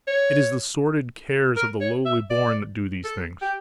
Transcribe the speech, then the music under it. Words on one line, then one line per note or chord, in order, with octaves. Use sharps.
It is the sordid cares of the lowly born that do these things.
C#5
A#4
C#5
E5
D5
A4
G4